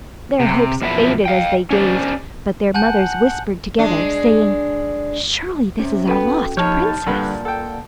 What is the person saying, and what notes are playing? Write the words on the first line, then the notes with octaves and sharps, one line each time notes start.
Their hopes faded as they gazed, but their mothers whispered together, saying, 'Surely this is our lost princess!'
C3
F#2 B2 F3 B3 E4 E5
F5 G5
C#4 D4 G4 C5 D5
F#5 G#5 A5 G6
G#3 D4
C3 C#4
B3 F#4 A4 B4 G5
F3 D#4 G4 C#5 A5 F6 G6
A6
G2 A#2 D3 B4
A4 F#5 G5